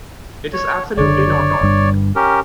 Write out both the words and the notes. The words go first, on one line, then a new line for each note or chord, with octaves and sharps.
It is absolutely not on.
C#5
F#1 D3 C#5 D5
G1 G2
C#4 G4 A#4